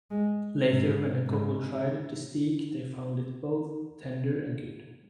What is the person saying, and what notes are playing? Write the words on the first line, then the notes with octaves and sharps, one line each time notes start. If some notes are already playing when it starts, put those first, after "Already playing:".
Later when the couple tried the steak they found it both tender and good.
G#3
G#2
G#2
G#2